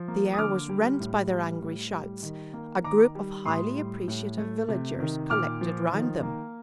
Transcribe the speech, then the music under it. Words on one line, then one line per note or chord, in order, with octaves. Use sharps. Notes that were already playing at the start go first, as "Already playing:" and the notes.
The air was rent by their angry shouts. A group of highly appreciative villagers collected round them.
Already playing: F3
A#3
D#6
D3 D6 F6
G3
A2
G3
A2
G3
D#3
A#3
D#3 A#5 D6
G3
A2 C6 D#6
G3
A2
A3
C3
D#3
A#2 D6 F6
F3
D#3
A#3